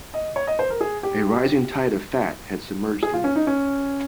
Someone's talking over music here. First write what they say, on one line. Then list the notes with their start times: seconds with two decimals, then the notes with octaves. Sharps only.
A rising tide of fat had submerged them.
0.14 D#5
0.36 C#5
0.47 D#5
0.59 C5
0.70 A#4
0.81 G#4
1.03 G4
3.03 G#4
3.14 F4
3.24 C#4
3.36 D#4
3.47 C#4